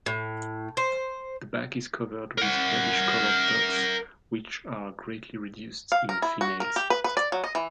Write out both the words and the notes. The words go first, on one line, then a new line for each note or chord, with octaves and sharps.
The back is covered with reddish-coloured dots, which are greatly reduced in females.
A2
C5
A#4 F#5
F5
A#4
E4
F#4
A#4
G4
B4
B4
D5
F#3
D#5
E3